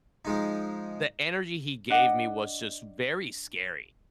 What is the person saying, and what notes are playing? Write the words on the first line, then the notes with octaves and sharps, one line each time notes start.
the energy he gave me was just very scary.
F3 G#3 D#4
D4 D#5 F#5